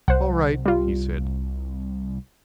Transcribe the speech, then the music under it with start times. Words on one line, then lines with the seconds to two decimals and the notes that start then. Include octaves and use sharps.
"All right," he said.
0.08 C2 C5 F#5
0.66 G3 F4